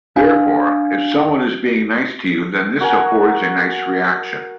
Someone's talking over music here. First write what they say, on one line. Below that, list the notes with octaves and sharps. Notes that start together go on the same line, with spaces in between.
Therefore, if someone is being nice to you then this affords a nice reaction.
D4 F5 G#5
F#4 A#4 F#5 G#5